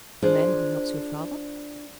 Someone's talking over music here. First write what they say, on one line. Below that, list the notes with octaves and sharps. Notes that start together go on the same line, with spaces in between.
"A man who helps your father?"
D4 F4 G#4 C5